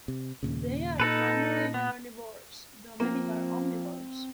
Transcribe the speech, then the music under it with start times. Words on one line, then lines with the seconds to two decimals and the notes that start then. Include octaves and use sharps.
They are primarily carnivorous, though many are omnivorous.
0.08 C3
0.43 D#2 A#2 C#3
1.00 A#2 D#4 A4 B4
1.74 B3
3.00 F3 A#3 C4